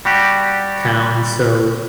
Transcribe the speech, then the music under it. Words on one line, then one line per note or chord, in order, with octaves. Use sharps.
town, so,
G3 F#4 G4